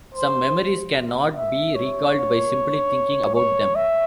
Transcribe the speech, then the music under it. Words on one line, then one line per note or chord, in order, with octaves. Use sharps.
Some memories can not be recalled by simply thinking about them.
C5
E5
C#5
C#5
E5